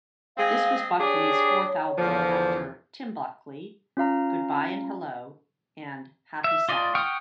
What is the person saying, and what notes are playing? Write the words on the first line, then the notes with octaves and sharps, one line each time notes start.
This was Buckley's fourth album after "Tim Buckley", "Goodbye and Hello", and "Happy Sad".
G#3 C4 G#4 F5
D4 G4 G#4 C#5
E2 D3 F3
C#4 F4 F5 A#5
E5
F4 D5 D#5
F#5 G5 C#6 D#6 F6